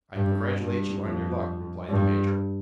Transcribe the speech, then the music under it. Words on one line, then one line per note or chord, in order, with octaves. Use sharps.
"I congratulate you on your luck," replied the major.
G2
G2
F2
G2